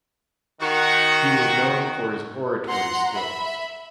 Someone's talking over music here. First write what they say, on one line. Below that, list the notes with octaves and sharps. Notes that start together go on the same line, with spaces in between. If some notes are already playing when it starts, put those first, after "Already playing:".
He was known for his oratory skills.
D#3 F#4
F#5 A#5 C6
E5 B5